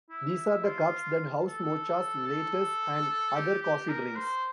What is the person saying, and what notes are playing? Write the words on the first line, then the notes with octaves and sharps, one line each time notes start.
These are the cups that house mochas, lattes, and other coffee drinks.
E4
F4
A4
A4
G4
G4
A#4
C5